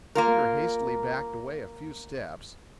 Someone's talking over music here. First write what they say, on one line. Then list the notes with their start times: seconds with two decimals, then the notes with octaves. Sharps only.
Peter hastily backed away a few steps.
0.15 A#3 F4 A#4